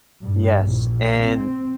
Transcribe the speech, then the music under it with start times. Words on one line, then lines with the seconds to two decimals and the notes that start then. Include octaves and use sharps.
Yes, and
0.24 G2
0.60 A#1
1.22 C4